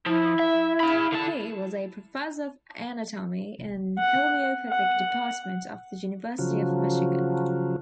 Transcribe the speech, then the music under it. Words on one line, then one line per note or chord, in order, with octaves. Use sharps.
He was a Professor of Anatomy in homoeopathic department of the University of Michigan.
F3 E4
E5
F5 B5
D3 A5
F#5
F#5
C#3 F3 F#3